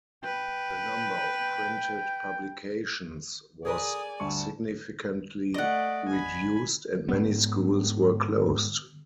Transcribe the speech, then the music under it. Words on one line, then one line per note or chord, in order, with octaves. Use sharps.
The number of printed publications was significantly reduced and many schools were closed.
B4 G5
G#4 A#4 B4 D5 G#5 D#6
D2 G2 A5 C#6
A3 D5 D#5 F#5
G#5 B5
G#2 B3